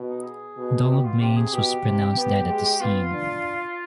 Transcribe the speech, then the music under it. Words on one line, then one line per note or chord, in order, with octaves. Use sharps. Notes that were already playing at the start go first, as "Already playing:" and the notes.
Donald Manes was pronounced dead at the scene.
Already playing: B2
D#4
G#4
B2
G4
F4
C3 G4
G#4
B2 G4
C3
B3
G#3
B3 F4
D4